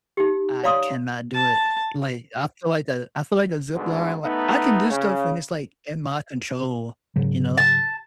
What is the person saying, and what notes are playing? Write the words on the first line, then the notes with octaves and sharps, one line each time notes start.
I cannot do it, like, I feel like the I feel like the zipline, like I can do stuff when it's, like, in my control, you know?
D#4 G4
C#5 D5 F5 A#5 C6 D#6
A5
D2 G#2 B2 D3
A3 B3 D#4
C#3
G#2 C#3 F#3
A5